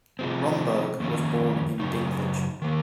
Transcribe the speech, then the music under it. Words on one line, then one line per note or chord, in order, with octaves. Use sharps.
Romberg was born in Dinklage.
C3 F3 G#3 C4
F2 D#3 A#3 C#4
F#2 C#3 D#4
D#3 A#3